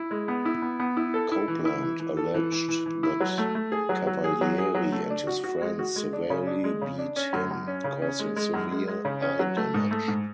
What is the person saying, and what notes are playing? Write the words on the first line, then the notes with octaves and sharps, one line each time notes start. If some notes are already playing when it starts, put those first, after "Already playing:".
Copeland alleged that Cavalieri and his "friends" severely beat him, causing severe eye damage.
Already playing: E4
G#3
B3
E4
B3
B3
E4
A4
E4
E3
E4
E3
E3
A4
E3
E3
E3
E3
E4
F#3
A3
A3
G#4
F#3
F#3
G#4
F#3
G#4
F#3
A3
D4
F#4
F#4
G#3
F#4
G#3
D4
C#3
D4
G#3
C#3
D4
C#4
F#2
F#2
C#4
C#3
C#4
G#3
G#3
F#2
G#3
G#3
C#3
C#4
F#3
A3
G#2
A3
G#2